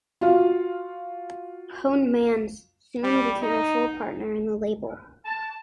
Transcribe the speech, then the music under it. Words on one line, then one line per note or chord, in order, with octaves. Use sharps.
Poneman soon became a full partner in the label.
F4 F#4 F5
G3
D#4
A5